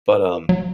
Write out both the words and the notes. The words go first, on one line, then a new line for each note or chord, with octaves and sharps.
but, um,
F#3